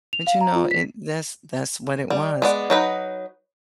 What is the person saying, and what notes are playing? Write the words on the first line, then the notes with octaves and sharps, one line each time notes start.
But, you know, and that's that's what it was,
F7
F5
A#5
F4
B6
G3
G#3 B3 D5
F#3 D#4 B4